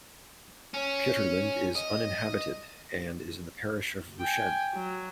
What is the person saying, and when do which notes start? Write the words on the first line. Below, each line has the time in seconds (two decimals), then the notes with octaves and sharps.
Kitterland is uninhabited and is in the parish of Rushen.
0.74 C#4
1.76 D#5
4.20 G5 G#5
4.75 F#3